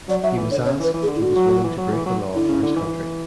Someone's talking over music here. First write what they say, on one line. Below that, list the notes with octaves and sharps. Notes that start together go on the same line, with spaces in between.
He was asked if he was willing to break the law for his country.
F#3 D5
F#3 E5
E3
D3 C#5
C#3 C#5
E3 B4
E3
G#4
D3
E4
D3 F#4
F#3
F#3
E3
F#3
E3
F#3
D3 E4
C#3
D3
E3